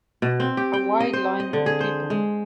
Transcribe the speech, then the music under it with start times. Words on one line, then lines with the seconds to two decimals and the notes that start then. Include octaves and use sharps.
A wide line of people.
0.22 B2
0.40 C4
0.57 G4
0.73 G5
1.00 D#5
1.13 C5
1.40 D#5
1.53 D3
1.66 G#4
1.80 C5
2.10 G#3